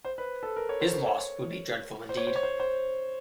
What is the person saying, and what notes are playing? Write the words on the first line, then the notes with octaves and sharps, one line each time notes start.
His loss would be dreadful indeed.
C5
B4
A4
A#4
C#5
C5
C#5
C#5
C5
C#5
C5
C#5
C5
C5